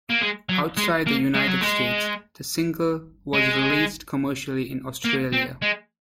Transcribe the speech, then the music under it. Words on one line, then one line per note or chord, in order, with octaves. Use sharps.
Outside the United States, the single was released commercially in Australia.
A#3
G#3
F#3
G#3
A#3
G#3
F#3
G#3
G#3
A#3
C4
G#3